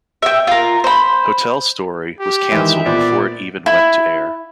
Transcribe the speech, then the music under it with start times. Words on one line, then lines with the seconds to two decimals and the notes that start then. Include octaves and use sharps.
"Hotel Story" was cancelled before it even went to air.
0.22 E5 G5
0.47 F4 A#4
0.84 C5 B5
2.20 G4
2.51 D#3 E3 G#3 E5
2.85 A#2 B3 C5 D5
3.66 E4